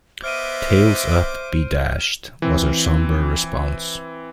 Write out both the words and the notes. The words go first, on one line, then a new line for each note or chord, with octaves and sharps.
"Tails up be dashed," was her sombre response.
B3 C5 D#5 E5 D6 F6 D7 D#7
E3 C4